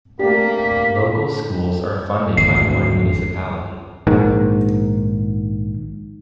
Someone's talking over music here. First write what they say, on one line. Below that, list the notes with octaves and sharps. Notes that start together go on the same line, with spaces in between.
Local schools are funded by one municipality.
C3 G3 A3 A#3 D4 G4 B6
G#1 D2 C7
A#1 G#2 D#3